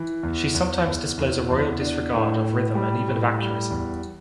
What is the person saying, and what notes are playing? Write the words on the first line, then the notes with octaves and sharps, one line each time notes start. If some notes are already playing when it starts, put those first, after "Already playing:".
She sometimes displays a royal disregard of rhythm and even of accuracy.
Already playing: E3
E2
E2
E2
E2
E2
D4
A2
A2
G3
A2
G3
E2